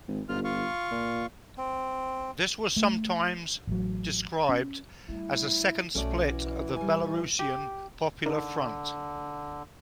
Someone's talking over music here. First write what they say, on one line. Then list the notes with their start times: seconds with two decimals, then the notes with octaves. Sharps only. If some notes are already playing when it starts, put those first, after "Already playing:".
This was sometimes described as a "second split" of the Belarusian Popular Front.
0.08 G#1
0.29 G1 G#2 F4 F6
0.44 F4 F5 C#6
0.91 A#2
1.58 C4
2.77 A3
3.67 A1 F#3
4.49 C#4
5.09 G3 A3 E4
5.95 B1 A3 C#4 F#4 D5
6.31 E3
6.76 A#2 G3 G#5
7.39 G4
8.26 D3 D#4 A#4 D5